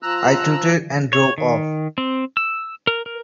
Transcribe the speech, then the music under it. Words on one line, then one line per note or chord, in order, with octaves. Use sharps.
I tooted and drove off.
F3 A#5 E6 F#6
C#5
D#3
C4
E6
A#4
A#4